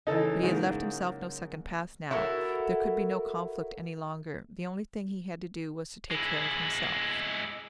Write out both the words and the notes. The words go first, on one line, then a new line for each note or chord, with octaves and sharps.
But he had left himself no second path now: there could be no conflict any longer: the only thing he had to do was to take care of himself.
C#3 E3 D#4 A4
G#2 F#3 A#3
E4 F#4 A4 A#4
G#3 E4